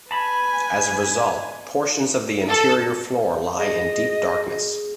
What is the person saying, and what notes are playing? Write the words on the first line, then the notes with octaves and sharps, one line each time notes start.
As a result, portions of the interior floor lie in deep darkness.
B4 G#5 A5 B5
A4
G#4 D#5